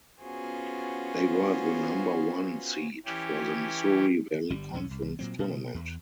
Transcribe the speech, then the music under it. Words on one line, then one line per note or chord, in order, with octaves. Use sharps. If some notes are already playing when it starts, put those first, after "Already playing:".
They were the number one seed for the Missouri Valley Conference Tournament.
B3 C#4 F4 F#4 G#4 C5
E3 C#4 G4
G1 G3
B1 E2 D#3 C#4
C2
A#2 F#3 C4
B2
E2